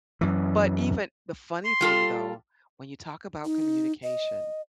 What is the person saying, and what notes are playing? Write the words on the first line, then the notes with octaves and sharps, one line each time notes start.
But even the funny thing, though, when you talk about communication,
F#2 E3
C6
G3 F4 A4
D#4
D#5